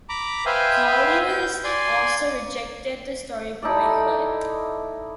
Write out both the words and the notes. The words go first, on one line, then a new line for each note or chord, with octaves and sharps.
Collier's also rejected the story Boyhood.
A#5 B5 D6
B4 C5 E5 F5 G5 G#5
G6
D5 G#5 C6
D#4 E4 A4 D5